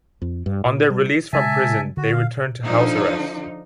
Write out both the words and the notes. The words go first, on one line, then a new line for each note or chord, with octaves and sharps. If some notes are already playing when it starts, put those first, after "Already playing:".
On their release from prison, they returned to house arrest.
F2
G2
A#2
G3
C#3 G#3 E5 G#5 A5
D3 F#4
F5
D3 F3 D#4